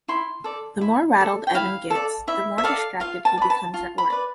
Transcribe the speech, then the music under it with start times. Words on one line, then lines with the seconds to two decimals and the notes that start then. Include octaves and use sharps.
The more rattled Evan gets, the more distracted he becomes at work.
0.08 E4 C6
0.44 A4 D5
0.81 E4
1.18 A4 D5
1.47 G5
1.54 E4 F5
1.90 A4 D5
2.27 E4 E5
2.58 E5
2.63 A4 D5 F5
3.00 F4 F5
3.25 A5
3.38 D5
3.41 B4 B5
3.50 A5
3.74 F4
3.98 B5
4.10 B4 D5